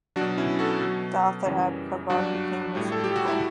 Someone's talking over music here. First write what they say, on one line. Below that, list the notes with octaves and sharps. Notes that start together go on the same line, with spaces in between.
The author Abe Kobo became his pupil.
F#3 D4 F#4
B2
C#4 E4
F#4 A4
B2 F#3
F#2 C#3 E3 G3
G2 F#3 D4 F#4
A2 G3
A4
G4
F#4
E4